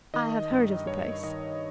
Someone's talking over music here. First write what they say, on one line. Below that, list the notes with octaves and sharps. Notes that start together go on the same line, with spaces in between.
"I have heard of the place."
D#3 D#5
G2
G2 C#5
D#3 D#5